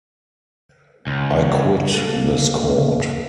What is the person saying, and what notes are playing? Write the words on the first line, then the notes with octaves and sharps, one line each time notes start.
I quit this court!
C#2
A#3 C#4 A4